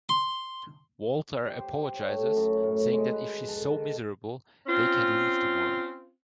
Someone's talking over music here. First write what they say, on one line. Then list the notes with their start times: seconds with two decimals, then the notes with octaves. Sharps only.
Walter apologizes, saying that if she's so miserable, they can leave tomorrow.
0.09 C6
1.45 G4
1.59 C5
1.93 C#5
2.09 A3
2.36 F#2
2.63 A2
2.93 G#3
3.13 B4
3.48 A4
3.71 D#3
4.67 C4 C#4 F4